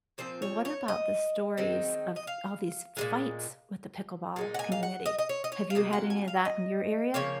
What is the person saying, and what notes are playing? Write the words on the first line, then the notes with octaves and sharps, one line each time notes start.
What about the stories of all these fights with the pickleball community? Have you had any of that in your area?
A#2 F3 C4 C5
C#5
C#5
D#5
D#3 G#3 C4 D#4
D#5
F5
A#2 F3 G#3
A#2 G#3 D#4
F#5
G#5
F5
F#5
D#5
D#5
C#5
D#5
C#5
F5
C3 F#3 A#3 D#5
F#5
G#5
F5
D#5
C#3 F3 A#3 C#5